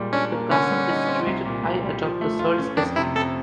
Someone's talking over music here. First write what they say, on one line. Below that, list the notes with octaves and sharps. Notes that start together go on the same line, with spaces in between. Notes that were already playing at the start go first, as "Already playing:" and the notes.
The castle is situated high atop the Searles estate.
Already playing: A#2 G3 G#3
C#4 D4
A#3
D3 C#4
G3
D#4
C4
C2
A#2
C2
G3
F3
A3
F4
C#4
F2 D4
C3 E4
F2 A4